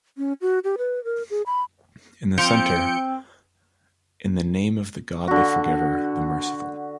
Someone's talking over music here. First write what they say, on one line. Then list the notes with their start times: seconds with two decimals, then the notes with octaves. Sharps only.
In the centre: In the name of the God the forgiver, the merciful.
0.18 C#4
0.41 F#4
0.64 G4
0.78 B4
1.04 A#4
1.30 G#4
1.46 B5
2.38 F3 C4 G6 C#7 D7
5.28 D3 F#4